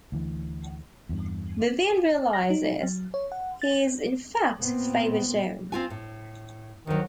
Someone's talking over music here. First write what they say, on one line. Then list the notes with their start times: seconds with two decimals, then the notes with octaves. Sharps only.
Vivian realizes he is in fact Faber John.
0.12 D2 E3
1.09 E2 G2
2.33 A#6
2.50 D#4
2.83 F#3
3.14 C#5
3.32 F#5
3.62 A6
4.58 A#2 B3 C4
5.72 C4 F4 G#5
5.90 A2
6.87 D2 D#3 F#3